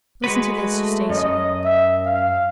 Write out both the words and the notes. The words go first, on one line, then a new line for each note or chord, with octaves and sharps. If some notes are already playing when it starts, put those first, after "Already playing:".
Listen to this, Eustacia.
G#3 F#4 B4
A3
F#2 D#5
E5
F5